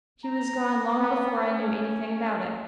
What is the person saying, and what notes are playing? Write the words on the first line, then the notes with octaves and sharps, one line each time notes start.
She was gone long before I knew any thing about it.
A#5
B3
C#4